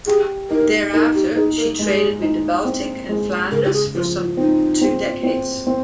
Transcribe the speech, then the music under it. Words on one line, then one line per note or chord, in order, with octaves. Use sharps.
Thereafter she traded with the Baltic and Flanders for some two decades.
G4 G#4
D#4 A#4
D#4 A#4
G4
D#4 G#4
A#4
G#3 G#4
D#4
C4
G#3
C#3 A#4
G4
G#4
F3 F4
C4 D#4
C4
C4
C4